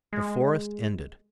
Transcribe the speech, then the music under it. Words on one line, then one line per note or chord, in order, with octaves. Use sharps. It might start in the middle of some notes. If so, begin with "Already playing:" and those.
The forest ended.
G#3